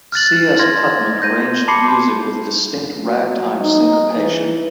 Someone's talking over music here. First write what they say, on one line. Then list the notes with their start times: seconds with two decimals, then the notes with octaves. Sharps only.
C. S. Putman arranged the music with distinct ragtime syncopation.
0.12 F6 F#6 A6 F#7
0.59 C6 F6 G#6 A#6
1.22 G6 A#6 D#7
1.68 A5 B5 C6 D6 C7 C#7
3.04 F#3
3.61 D#4
4.15 E3